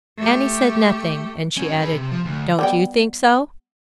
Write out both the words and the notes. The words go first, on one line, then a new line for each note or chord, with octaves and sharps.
Annie said nothing, and she added, "Don't you think so?"
A3 G4
C#4 F#4
G#4 B4
C3
F3
D2
G3 B3 G5